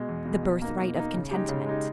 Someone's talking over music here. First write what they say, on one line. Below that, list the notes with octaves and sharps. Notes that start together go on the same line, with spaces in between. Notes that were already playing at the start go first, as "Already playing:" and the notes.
The birthright of contentment.
Already playing: B2 G#3
E2
B2 G#3
B2
A#3 D#4
B2
A#3 D#4
C#3
G#3 D#4 G4
C#3
G#3 D#4 G4